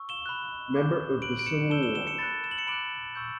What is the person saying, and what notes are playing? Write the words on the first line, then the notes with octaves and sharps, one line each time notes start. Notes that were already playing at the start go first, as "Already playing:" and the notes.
Member of the Civil War.
Already playing: C#6 E6
E7 G7
B5 F#6
B5 D6 G6
B5 D6 F#6 D7 F#7
D7
C#7 E7
A5 E6 G6 E7 G7
E7 G7
E7 G7
C#7 E7
B5 F#6 A6 C#7
E7
F#7
C#7 E7
B5 D6 F#6 D7 F#7
C#6 E6 G6